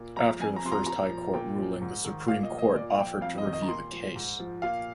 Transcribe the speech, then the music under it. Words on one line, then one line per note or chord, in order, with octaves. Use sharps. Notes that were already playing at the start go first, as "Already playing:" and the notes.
After the first High Court ruling, the Supreme Court offered to review the case.
Already playing: A#2
F3 A#5
F2 G#5
A#5
C3 F3 C6
A#5
A#2 A#5
F3
A#2 G5
F3
G#2
D#3
A#2 F5
D#5
F3
D#5
A#2 D5
F3 G5
F2 F5
D#5
D#3
D#5
A#5
A#2 C6
F3
G#2
F3
A#2 F5